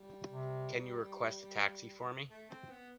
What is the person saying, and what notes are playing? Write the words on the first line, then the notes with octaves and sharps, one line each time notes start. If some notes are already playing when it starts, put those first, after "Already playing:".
Can you request a taxi for me?
Already playing: G3
C3
A3
C4
B3